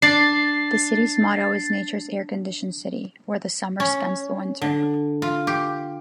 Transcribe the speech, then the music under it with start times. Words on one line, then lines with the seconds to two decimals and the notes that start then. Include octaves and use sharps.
The city's motto is nature's air conditioned city, where the summer spends the winter.
0.02 D4 A6 C7
3.80 C#4
4.62 D3
5.22 F4
5.47 G4